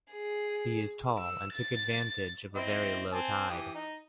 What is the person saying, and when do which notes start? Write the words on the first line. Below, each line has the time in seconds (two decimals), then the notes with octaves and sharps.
He is tall and took advantage of a very low tide.
0.13 G#4
1.18 E6
1.54 A6
2.55 C4 E4 D#5
3.12 C4 G#5 A5
3.50 E3 G4 D#6
3.75 D#4